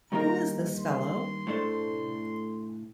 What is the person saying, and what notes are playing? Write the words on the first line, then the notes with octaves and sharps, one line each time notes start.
Who is this fellow?
G2 D#3 A#3 D#4 A#4 A#5
C6
A2 A3 D4 A4 C5